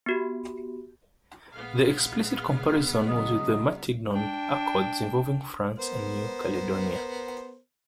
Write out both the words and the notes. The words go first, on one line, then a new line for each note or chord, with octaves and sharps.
The explicit comparison was with the Matignon Accords involving France and New Caledonia.
B3 F#4 G4
A#1 G#3 B3 F5
C#3 F#3 D#5
D4 G5
B3 A#4 C5